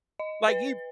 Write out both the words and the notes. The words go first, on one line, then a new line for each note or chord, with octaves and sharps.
Like, he
D#5
B4